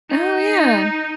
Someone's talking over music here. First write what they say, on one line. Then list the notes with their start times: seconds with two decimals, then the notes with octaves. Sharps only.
Oh, yeah.
0.10 D#4